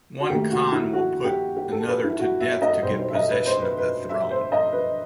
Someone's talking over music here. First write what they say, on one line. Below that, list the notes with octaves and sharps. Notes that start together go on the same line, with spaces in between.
One Khan will put another to death to get possession of the throne.
F#4
D#2 D#3 A3 G4
F#4
E4
F#4
G4
G4
A4
B4
E4
F#4
E5
D#5
B1 B2 G3 C5
C5
E5
D#5
B4
C5
B4
B4
E5
C5
D#5
B4